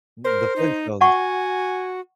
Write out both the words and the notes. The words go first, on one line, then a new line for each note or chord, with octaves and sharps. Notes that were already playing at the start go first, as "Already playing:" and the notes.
M The Flintstones.
A#4 C5
D#4
F#4 F#5 G#5 C#6